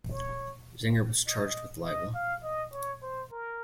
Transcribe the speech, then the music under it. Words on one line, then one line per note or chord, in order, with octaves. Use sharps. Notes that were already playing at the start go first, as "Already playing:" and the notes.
Zenger was charged with libel.
C#5
D#5
D#5
F5
D#5
C#5
C5
A#4